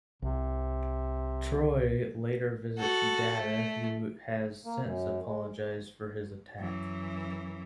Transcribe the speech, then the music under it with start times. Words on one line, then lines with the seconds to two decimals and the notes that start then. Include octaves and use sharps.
Troi later visits Data, who has since apologized for his attack.
0.22 C2 C3
2.79 F#4 A4
3.38 A3
4.65 A#3
4.84 F#2
5.25 G#3
6.58 F#2 E3